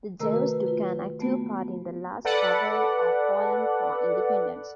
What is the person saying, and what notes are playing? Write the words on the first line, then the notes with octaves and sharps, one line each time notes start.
The Jews took an active part in this last struggle of Poland for independence.
C3 D#3 A3 A#4 A#5 E6
F#4 B4
F4 B4
A3 B3 F#4
A4 B4 D5 F#5